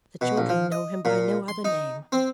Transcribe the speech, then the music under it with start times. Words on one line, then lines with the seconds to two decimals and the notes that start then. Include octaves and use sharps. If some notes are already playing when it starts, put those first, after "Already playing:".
The children know him by no other name.
0.21 B2
0.37 A#1
0.49 F3
0.72 D#5
1.05 A#2
1.48 C6
1.65 D#4
2.12 C4